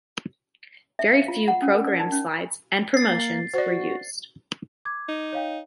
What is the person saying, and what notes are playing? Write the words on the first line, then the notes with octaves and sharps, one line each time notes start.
Very few programme slides and promotions were used.
E5
F5
F4
F#5
C#4
A#4
D5
D#4
C#4
A6 C7
A#3
F#4 C5 D5
D6 G#6
D#4
C#5 F5 G5